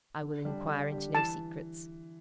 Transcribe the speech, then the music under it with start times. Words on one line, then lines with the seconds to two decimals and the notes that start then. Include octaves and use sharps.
"I will enquire into no secrets."
0.23 D3
0.45 G3 D4 G4
0.68 D3
0.91 G3 D4 G4
1.15 E3 A5